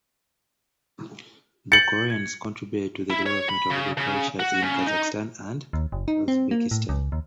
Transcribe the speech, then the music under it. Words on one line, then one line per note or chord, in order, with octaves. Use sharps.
The Koreans contributed to the development of agriculture in Kazakhstan and Uzbekistan.
G6 A6 C#7 F#7
G#6
E4
C#5
B5
C#3
C#3
F#4
C#3
D#4
D#2
F#1
D#4
C4
A#3
A2
C#2
D#2